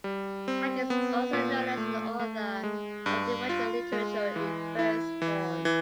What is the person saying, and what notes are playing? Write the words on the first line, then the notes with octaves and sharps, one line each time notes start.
Hagen is also known as an author of devotional literature in verse form.
G3
C4
B3
A#2
A3
A3
G#3
G2
F4
G#3
E3
E4
E3
E3